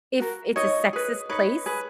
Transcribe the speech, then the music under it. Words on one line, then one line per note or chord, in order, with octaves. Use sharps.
if it's a sexist place
F#4 A#4
D#4 C#5 D#5
G#4 B4
D#4 B4 C#5
G#4 B4